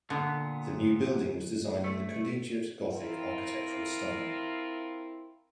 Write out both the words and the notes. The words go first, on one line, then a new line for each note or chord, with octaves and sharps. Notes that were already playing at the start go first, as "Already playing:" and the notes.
The new building was designed in the Collegiate Gothic architectural style.
A#2 D3 B3
A3
C4 E4 F4 A#4